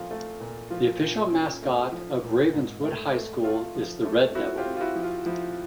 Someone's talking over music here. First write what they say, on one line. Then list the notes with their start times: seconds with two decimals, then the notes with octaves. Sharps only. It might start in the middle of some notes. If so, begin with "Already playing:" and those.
The official mascot of Ravenswood High School is the Red Devil.
Already playing: A#2 F3 A3 F4
0.11 A3
0.40 A#2
0.70 F3 F4
1.01 A#2
1.32 C#4
1.62 A3
1.92 F3
2.23 A#2
2.53 G#2
2.84 A3
3.14 A3
3.44 A3 F4
3.75 F3
4.05 A3
4.35 C4 E4 F#4
4.58 F4 G4
4.65 C4
4.77 F4
4.81 E4 F#4
4.96 F3
5.03 F4
5.26 F3 E4